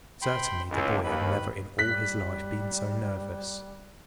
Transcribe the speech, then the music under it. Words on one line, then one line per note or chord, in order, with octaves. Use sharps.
Certainly the boy had never in all his life been so nervous.
G5 B5 C6
C#2 A2 D#3
D#2 D#3 B4 B5
G3 F#6 B6